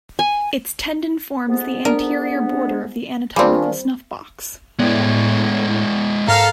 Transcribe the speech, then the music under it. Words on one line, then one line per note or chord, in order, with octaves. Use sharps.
Its tendon forms the anterior border of the anatomical snuffbox.
G#5
F2 G#2 B3
D4 A#4
E2 C3 D#3 G3 C4 D4 F4 G#4
A2 G#3 B3 E4 D5 G5
G#2 A4 A#4 F5